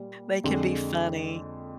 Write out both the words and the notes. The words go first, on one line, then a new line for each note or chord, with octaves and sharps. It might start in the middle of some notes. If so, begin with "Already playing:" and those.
They can be funny.
Already playing: A#2 G3
F2 D3 G#3